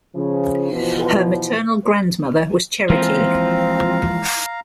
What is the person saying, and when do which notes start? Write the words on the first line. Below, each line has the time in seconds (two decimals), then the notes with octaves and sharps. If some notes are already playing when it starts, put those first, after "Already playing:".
Her maternal grandmother was Cherokee.
0.15 C#3 F3
0.72 B2 E3 F3
2.89 E3 F3 G#3 A#3 C4 F5 A#5